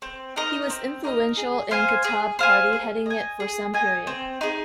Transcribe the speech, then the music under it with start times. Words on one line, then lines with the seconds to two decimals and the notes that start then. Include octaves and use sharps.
He was influential in Kataeb Party heading it for some period.
0.02 C4
0.36 D#4 A#4 D#5
0.70 C4
1.04 D#4 A#4 D#5
1.37 G#4
1.71 C5 F5 G#5
2.04 G#4
2.39 C5 F5 G#5
2.73 G#4
3.06 D#5 G#5
3.40 G#4
3.74 D#5 G#5
4.07 C4
4.41 D#4 G#4